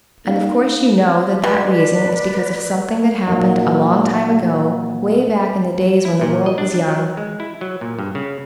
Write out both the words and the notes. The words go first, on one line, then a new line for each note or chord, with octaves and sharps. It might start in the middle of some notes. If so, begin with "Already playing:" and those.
And of course you know that that reason is because of something that happened a long time ago, way back in the days when the world was young.
A#3 C#4 D#4 F5
B2 B4 D5
A#2 F#3 A#3 D#4
E4
A#2
D#5
D4
D4
F#3
G#3
E4
F#3
A#2
G2
C#3